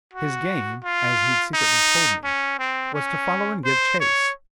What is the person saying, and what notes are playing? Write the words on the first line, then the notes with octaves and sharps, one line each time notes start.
His game--as he'd secretly told me--was to follow and give chase.
F#4
F4
D#4
C#4
C4
C#4
C5
C#5